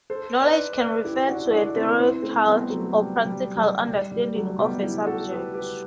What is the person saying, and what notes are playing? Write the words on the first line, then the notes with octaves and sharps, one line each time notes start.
Knowledge can refer to a theoretical or practical understanding of a subject.
A4 C5
B4 D5
B4 D5
E4 G4
D4 F#4
E4
D4 F#4
C4 E4
C4 E4
A3 C4
G3 B3
F#3 A3
G3
G3
G3
G3
G3
F#3 A3
G3 B3
E4 G4
F#4 A4
G4 B4
G4 B4